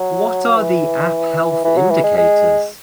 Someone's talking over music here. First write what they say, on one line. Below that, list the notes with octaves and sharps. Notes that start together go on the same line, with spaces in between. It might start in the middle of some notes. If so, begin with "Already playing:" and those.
What are the app health indicators?
Already playing: F#3
E3
E3
F#3
E3
G#3
G#3